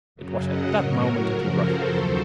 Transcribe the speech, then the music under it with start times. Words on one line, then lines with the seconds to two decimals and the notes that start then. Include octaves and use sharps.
It was at that moment that he rushed me.
0.15 F#2 C#3 F#3
0.44 D#5 F#5
0.71 A2 F#3 F#4 A#4
1.00 F#4 A#4
1.28 F#2 C#3 F3
1.56 A4 C5
1.84 D#2 C#3 F#3